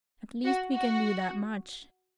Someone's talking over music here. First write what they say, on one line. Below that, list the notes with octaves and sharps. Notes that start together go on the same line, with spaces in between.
At least we can do that much.
F#4
F#4